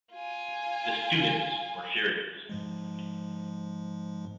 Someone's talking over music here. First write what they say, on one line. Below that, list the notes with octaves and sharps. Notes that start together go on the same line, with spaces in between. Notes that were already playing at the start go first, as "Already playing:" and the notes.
The students were furious.
F4 G#5
G#2 F3 G#3